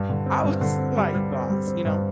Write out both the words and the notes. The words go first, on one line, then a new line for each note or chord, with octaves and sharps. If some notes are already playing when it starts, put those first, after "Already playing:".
I was, like, lip gloss, you know?
Already playing: G2
D3
C4
G2
D3
C4
G3
G2
C4
G3
C4
G2